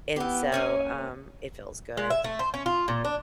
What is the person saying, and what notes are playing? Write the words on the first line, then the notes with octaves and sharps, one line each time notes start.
And so, um, it feels good.
E3 B3 G4
A#3 C#4 C#5 G#5
G#3
E5
A3
C5
C#4
F4
A#2
D4